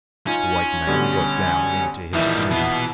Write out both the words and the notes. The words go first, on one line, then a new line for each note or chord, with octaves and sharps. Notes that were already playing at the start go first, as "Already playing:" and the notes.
The white man got down into his canoe.
C#4 D#4 F4
B2 D3 G3
A#1 D#3 E3 G3 E5
B2 B3